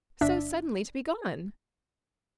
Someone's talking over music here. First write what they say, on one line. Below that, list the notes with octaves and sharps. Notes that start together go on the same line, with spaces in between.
So suddenly to be gone!
G1 D4 E5 B6